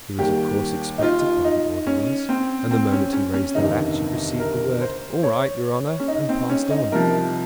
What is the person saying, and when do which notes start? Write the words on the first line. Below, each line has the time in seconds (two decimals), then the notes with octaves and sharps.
He was of course expected by the orderlies, and the moment he raised the latch he received the word: 'All right, your honor!' and passed on.
0.18 D#2 D#3 G3 G4
0.98 D#4
1.03 F4
1.45 D#4
1.87 C#4
2.29 C4
2.71 C4
2.92 C#4
3.13 C#4
3.34 C#4
3.55 G1 F2 C3 D#3 D#4
4.39 A#4
4.81 C5
5.23 C#5
6.00 C#4
6.08 D#4
6.29 C4
6.49 C#4
6.70 D#4
6.92 C2 C3 F3 A#4